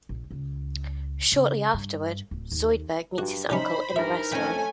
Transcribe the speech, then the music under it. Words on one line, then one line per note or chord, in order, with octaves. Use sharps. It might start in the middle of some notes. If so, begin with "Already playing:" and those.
Shortly afterward, Zoidberg meets his uncle in a restaurant.
A#1
C#2
C#3
G2
D1
D#2
G2 F#4
C3 F3 C#4 D#4 C5 B5
G2 E3 D#4 A#4 E5
F2 A3 C#4 G5 G#5 B5